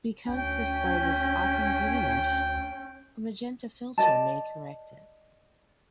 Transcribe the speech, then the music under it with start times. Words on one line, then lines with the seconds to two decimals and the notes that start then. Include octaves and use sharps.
Because this light is often greenish, a magenta filter may correct it.
0.29 D2 C#4 G5
3.98 D5 D#5 A5